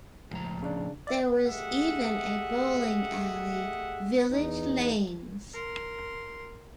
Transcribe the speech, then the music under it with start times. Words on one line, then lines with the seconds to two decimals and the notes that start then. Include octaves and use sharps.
There was even a bowling alley, Village Lanes.
0.31 C#2 A2 F3 A#5
0.63 C#3 D4
1.07 D5 E5
1.44 A3 G4 G#4 D#5 E5 F#5
4.30 E2 D#4
5.54 A#4 C6